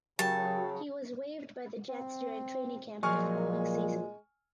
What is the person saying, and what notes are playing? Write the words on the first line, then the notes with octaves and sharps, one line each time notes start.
He was waived by the Jets during training camp the following season.
C#3 F#3 G4 A#4 G5 A5
C4
A#2 F3 F#3 G#3 G#5 C#6 F6